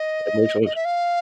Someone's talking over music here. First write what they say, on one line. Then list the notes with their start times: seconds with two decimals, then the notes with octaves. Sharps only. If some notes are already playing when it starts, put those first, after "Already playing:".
that makes sense.
Already playing: D#5
0.66 D#5
0.75 E5
0.85 F5